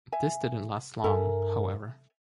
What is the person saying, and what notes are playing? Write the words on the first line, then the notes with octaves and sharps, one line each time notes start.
This didn't last long, however.
E5 G#5
G2 A4 A#4 E5 G#5